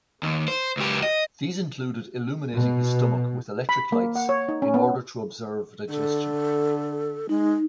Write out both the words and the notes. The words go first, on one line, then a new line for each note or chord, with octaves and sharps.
These included illuminating his stomach with electric lights in order to observe digestion.
D#2
C5
C#2 G4
D#5
B2
B5
A#3
F#5
C#5
D#4
C#4
B3
D3 A4
G#3 D#4